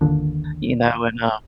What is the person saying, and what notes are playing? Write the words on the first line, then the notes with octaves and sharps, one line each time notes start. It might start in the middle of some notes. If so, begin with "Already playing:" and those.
you know, and, uh
G1 D#2 D3 D4